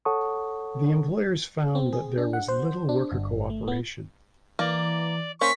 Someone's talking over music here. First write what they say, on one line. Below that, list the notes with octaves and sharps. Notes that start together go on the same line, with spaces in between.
The employers found that there was little worker co-operation.
A4 C#5 F#5 A5 C#6 D#6
C4
G#4
D4
F#5
C5
D4
G1
A3
B3
E3 A#3 D5
A#3 C#4 C5 C#6 B6